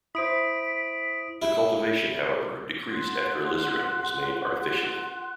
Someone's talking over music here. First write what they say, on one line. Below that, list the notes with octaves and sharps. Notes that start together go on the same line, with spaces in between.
The cultivation, however, decreased after alizarin was made artificially.
E4 C5 D#6 B6 D7
E4
F4 F#5 C6 F#6